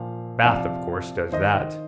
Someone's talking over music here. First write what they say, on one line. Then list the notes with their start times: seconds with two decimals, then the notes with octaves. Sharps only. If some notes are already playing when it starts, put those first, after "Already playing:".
Bath of course does that.
Already playing: A#2 F3 F5
0.44 C3 F3 D5 F5
1.32 D#3 C5 D#5